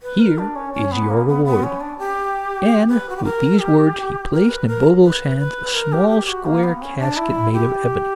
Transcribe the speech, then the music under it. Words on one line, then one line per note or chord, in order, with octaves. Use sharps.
"Here is your reward." And, with these words, he placed in Bobo's hands a small square casket made of ebony.
B4
A#4
D4
C#4
C#4
B3
A#3
B3
B3
C#4
D4
G4
B4
F#4
G4
A#4
G4
A#4
B4
A#4
B4
B4
A#4
G4
G4
F#4
A#3
B3
C#4
D4
E4
G4